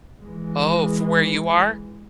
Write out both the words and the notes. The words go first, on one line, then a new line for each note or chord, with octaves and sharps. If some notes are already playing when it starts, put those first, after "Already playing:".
Oh, from where you are?
E3 G#3